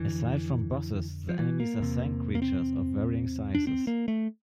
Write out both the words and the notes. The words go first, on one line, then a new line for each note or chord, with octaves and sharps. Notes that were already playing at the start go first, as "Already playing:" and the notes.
Aside from bosses, the enemies are sand creatures of varying sizes.
Already playing: F2 D3 E3
F3
E3
A#3
E2 C3
A#3
C4
D4
C4
A#3
A3